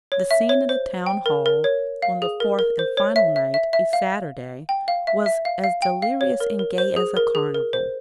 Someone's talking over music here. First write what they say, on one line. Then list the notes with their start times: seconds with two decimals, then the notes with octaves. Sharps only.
The scene in the town-hall, on the fourth and final night, a Saturday, was as delirious and gay as a carnival.
0.12 C#5
0.31 E5
0.49 C#5
0.69 C5
1.06 G5
1.26 A#4
1.46 A#4
1.64 C#5
2.02 F5
2.22 G#4
2.40 A#4
2.59 A#4
2.79 C5
2.97 C#5
3.16 E5
3.36 E5
3.54 E5
3.73 E5
3.93 F5
4.69 G5
4.88 F5
5.07 E5
5.26 E5
5.45 F5
5.64 F5
5.82 G5
6.02 F5
6.21 C#5
6.40 A#4
6.59 A#4
6.78 C5
6.96 G#4
7.17 A#4
7.35 G#4
7.54 A#4
7.73 C5